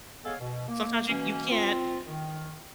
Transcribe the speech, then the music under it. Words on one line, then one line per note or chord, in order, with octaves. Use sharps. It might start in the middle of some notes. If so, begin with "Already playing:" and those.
Sometimes you you can't
G#3 B3 G#4 A4 C#5 F5
B2
A#3
B2 E3 A#3 C#4
C4 F4
D#3